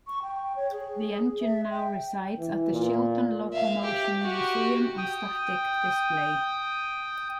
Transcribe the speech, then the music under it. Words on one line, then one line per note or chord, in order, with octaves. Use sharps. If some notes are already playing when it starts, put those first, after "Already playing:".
The engine now resides at the Shildon Locomotion Museum on static display.
C#6
G5
C#5
G#4
E5
G5
E3
A#2
E5 F5
G4
F#4 G4
G5 D#6